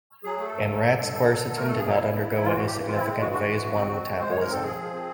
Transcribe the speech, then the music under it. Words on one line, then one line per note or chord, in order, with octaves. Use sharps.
In rats, quercetin did not undergo any significant phase one metabolism.
F#3 G#4
A3
A4
G2
A3
D3
G2
D3
F#3
D3
A3 A#4
G2 A4
G#4
F#3 E4
G2
E3
E3
E3 F4
G2 F#4
G4
E3
C4 F4
G#3 E4
G2 F#4
G#3 F#4
E3
G2
C4
C4
G#3
G#3 C5
G#2 C#5
A#4
C4 A4
F3 G#4
F3
C4